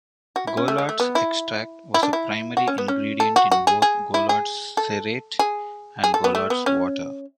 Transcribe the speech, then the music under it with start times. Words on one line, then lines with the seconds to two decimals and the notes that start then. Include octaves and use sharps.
Goulard's Extract was a primary ingredient in both Goulard's Cerate and Goulard's Water.
0.36 F#4
0.47 E4
0.57 C#4
0.68 A3
0.78 G#3
0.89 A3
1.00 B3
1.15 E4
1.94 E4
2.03 D4
2.13 E4
2.57 F#4
2.68 C#4
2.78 B3
2.88 C#4
3.20 A4
3.36 F#4
3.51 F#4
3.67 G#4
3.82 G#4
4.14 E4
4.29 G#4
4.77 A4
5.39 G#4
6.04 G#4
6.14 A4
6.24 B3
6.35 A3
6.50 B3
6.66 C#4